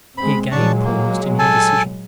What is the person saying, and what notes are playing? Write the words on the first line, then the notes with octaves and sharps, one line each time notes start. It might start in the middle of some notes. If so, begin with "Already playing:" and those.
He again paused in indecision.
G#3 C4 B5
A#2 F#3 G#3 D4 A5 C#6
A#3
A4 G#5 A5